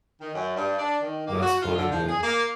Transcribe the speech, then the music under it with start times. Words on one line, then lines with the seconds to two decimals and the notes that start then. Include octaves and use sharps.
That's funny, man.
0.20 D#3
0.34 F#2
0.56 G2
0.78 D4
1.03 D#3
1.27 A#3
1.41 F#4
1.61 F4
1.77 D3
1.91 F3
2.08 G#4
2.23 A#3